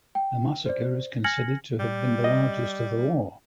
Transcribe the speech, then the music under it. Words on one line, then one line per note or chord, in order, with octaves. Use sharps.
The massacre is considered to have been the largest of the war.
G5
C5 D5
G#5 F6 G#6 A#6 C#7 F#7
G3
D#5